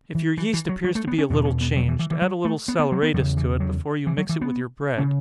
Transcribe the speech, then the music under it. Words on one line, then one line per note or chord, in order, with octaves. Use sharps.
If your yeast appears to be a little changed, add a little saleratus to it before you mix it with your bread.
E3
E3
E3
F#3
F#3
A3
B3
C#4
E2 B2 B3
C#4
B3
F#3
E3
E3
E3
F#3
A3
B3
B3
F#3
B3
E2 C#3 F#3
E3
F#3
E3
F#3
E3
B3
C#3 C#4